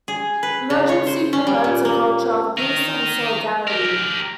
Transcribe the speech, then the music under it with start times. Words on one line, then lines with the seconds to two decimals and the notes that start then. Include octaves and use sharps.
Emergency promotes a culture of peace and solidarity.
0.08 G#4
0.43 B4
0.70 C#3
0.89 C#5
1.07 C5
1.33 C#4
1.47 G3
1.64 A#2
1.85 A#3
2.58 D#4 A#4
3.68 G4 A#4